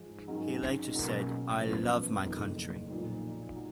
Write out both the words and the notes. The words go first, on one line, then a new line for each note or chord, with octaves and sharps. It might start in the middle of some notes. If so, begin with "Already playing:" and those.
He later said, I love my country.
Already playing: G#2 F3 G#3
G#2 D#3 F#3 C#4
B2 F#3 A#3 C#4
F#2 F3 B3
F#1 F2 D#3
B1 A#2 F3
F#3